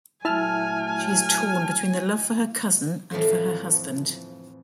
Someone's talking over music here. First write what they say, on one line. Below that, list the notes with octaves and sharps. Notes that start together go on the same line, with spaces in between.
She is torn between the love for her cousin and for her husband.
A#2 F#3 A3 E4 E5 G#5 A5 F6
F2 A2 E3 F3